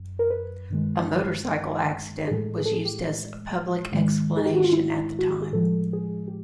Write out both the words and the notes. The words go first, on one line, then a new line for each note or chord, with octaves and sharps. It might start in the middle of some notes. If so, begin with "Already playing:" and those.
A "motorcycle accident" was used as a public explanation at the time.
Already playing: F#2
A#4
B4
G2 D#3 G#3
G#4
A2 E3 G#3 A4
G#4
A4
G#4
G4
G#2 D#3 G#3
G#4
G4
F#4
F4
E4
F#4
G4
G#4
A2 F3 G#3 A4
G#4
G4